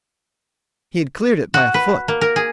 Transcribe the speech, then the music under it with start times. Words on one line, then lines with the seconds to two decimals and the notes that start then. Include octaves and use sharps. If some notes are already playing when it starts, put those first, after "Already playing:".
He had cleared it by a foot.
1.54 F#4
1.74 B4
2.08 A#3
2.21 A#4
2.36 G#4